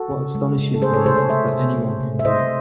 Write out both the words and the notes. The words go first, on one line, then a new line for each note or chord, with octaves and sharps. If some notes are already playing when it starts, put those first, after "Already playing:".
What astonishes me is that anyone can do it.
Already playing: F#4 A4
C#3
G#3
C#3
A4
A3 G#4 C5
A4 C#5
C3 G#4 C5
A4 C#5
A3 C#5 E5
C3
A3
C3
E5
A3 C5 D#5